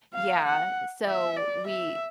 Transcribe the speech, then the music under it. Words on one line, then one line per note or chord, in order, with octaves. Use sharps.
yeah, so we
F5
F#5
E5
D5
E5